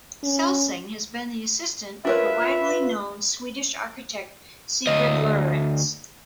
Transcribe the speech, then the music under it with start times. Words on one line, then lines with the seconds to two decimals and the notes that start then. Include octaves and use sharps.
Celsing has been the assistant of the widely known Swedish architect Sigurd Lewerentz.
0.24 C#4
2.05 D4 F4 A#4 B4 C#5 E5
4.87 D2 D#5